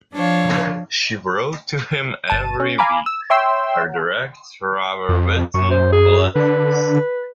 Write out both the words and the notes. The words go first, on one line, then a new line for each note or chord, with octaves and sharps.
She wrote to him every week her direct, rather witty letters.
F3 D4 C#5 F5
G1 A5 D#7
C#4
F5 G#5 A#5 B5 D6
E6
C#5 E5 G5 C6 E6
F2
F#2 C#6
C5
G#4
D3 B4